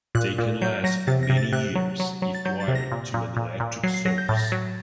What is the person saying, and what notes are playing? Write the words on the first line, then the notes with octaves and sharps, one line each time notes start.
They can last for many years if wired to an electric source.
A#2 F#6
A#2
F#3 G6
F#3 A#6
C3 A6
A#6
C3
A6
C3 F#6
F#3
F#3
F#3
A6
F#3 G6
A6
C3
A#6
A#2
A#2
A#2
A#2
F#3 C7
C7
F#3 A#6
G6
A2 A6
A#6
A6
F#3